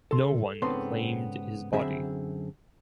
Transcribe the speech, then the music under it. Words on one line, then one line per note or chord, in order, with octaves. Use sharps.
No one claimed his body.
A4 C6
G#2 C#3 B3 C4 A4 C6
F#2 D3 C4 G#4 E5 B5